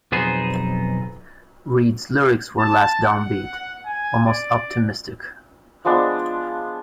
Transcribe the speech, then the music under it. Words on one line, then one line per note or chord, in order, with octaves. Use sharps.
Reed's lyrics were less downbeat, almost optimistic.
B1 F2 B3 D#4 G#4 C5
A5
F#5
G#5
D5
F3 G#3 B3 D4